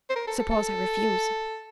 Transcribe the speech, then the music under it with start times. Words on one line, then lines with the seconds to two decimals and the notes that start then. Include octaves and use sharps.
"Suppose I refuse?"
0.09 C5
0.16 A#4
0.27 A4
0.39 A4
0.51 A4